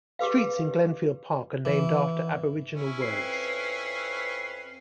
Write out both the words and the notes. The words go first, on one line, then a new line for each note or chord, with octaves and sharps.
Streets in Glenfield Park are named after Aboriginal words.
G4 G#4 B4 F5
E3
C#4 E4
F2 C4 B4 C7